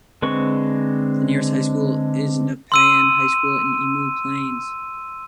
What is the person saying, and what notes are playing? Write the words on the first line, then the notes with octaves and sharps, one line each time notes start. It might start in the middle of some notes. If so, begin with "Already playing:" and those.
The nearest high school is Nepean High School in Emu Plains.
D3 G#3 C4 B4 C#6
C6 E6 D#7